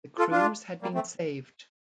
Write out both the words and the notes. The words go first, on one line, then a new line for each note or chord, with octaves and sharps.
The crews had been saved.
F4 A4
D4 F4
G3 A#3
A3 C4